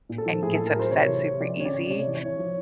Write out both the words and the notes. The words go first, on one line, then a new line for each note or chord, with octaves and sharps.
and gets upset super-easy,
A#2
A4
F3
A2 G#4
A2 A4
A#4
F#3 C5
C3 C#5
E3
C3
F3 D5
C#3 C#5
D5
C#3
C3 C#5
E3
C#5
E3
F3